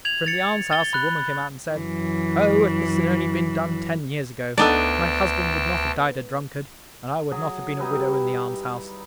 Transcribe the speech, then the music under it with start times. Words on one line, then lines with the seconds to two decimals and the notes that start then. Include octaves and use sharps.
From the alms-house a woman came out and said, "Oh! if this had only been done ten years ago, my husband would not have died a drunkard, and I would not have been a widow in the almshouse."
0.05 G#6 F7 F#7
0.26 A6 C#7
0.71 A6 G7
0.93 B5 F#6
1.74 F#2 E3
4.58 D2 B3 D4 D#4 A4 D5 G5 A5
7.32 F#3 G#4
7.79 G3 D#4 E4 B4